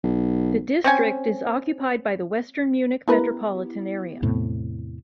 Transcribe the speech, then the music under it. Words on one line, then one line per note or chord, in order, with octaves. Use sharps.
The district is occupied by the western Munich metropolitan area.
B1
C4 C#4 G#5
C#3 B3 E4 G4 A#4 B4
E2 A2 C3